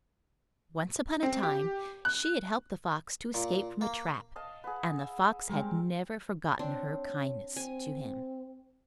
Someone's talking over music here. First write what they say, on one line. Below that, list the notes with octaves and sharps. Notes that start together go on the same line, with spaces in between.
Once upon a time she had helped the fox to escape from a trap and the fox had never forgotten her kindness to him.
C4
G4
F#6
A#2
A#3
D#5 F5 A5
G#4 B4 F#5
E5
G3 G#3 C4 A#4
C4 D4 C#5
C4 G#5